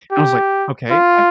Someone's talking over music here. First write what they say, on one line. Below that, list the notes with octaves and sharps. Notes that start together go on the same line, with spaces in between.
I was like, "Okay, I've"
G4
F4